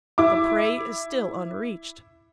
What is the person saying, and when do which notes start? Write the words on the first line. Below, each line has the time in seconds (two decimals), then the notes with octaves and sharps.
The prey is still unreached.
0.18 E4 E5 D6